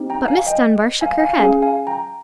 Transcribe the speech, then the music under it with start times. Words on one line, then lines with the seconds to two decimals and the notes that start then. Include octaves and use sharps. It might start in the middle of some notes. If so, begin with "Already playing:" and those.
But Miss Dunbar shook her head.
Already playing: C4 D#4 G4
0.10 G5 A#5
0.28 F5 G#5
0.47 D#5 G5
1.01 F5 G#5
1.20 F5 G#5
1.38 C#4 G#4 F5 G#5
1.62 F5 G#5
1.87 G5 A#5